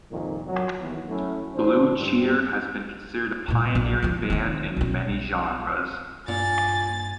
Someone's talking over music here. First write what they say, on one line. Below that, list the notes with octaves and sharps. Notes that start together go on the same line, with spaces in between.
Blue Cheer has been considered a pioneering band in many genres.
C2 F2 A#2 D#3
F#3
D#2 E3 B3
F#3 A3 C#4 E4
A1 D4 C5
G2 C4
A#2 G#3
A#1
D3 F3
D#3 C4
B1 C#4
G2 A#2 G#5 A6